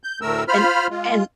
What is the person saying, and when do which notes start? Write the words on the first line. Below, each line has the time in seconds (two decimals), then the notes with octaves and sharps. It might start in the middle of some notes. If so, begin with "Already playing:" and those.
and and
0.04 G6
0.21 D2 A2 A3 A#4 E6
0.48 F4 C5 B5 F6
0.90 G#3 F4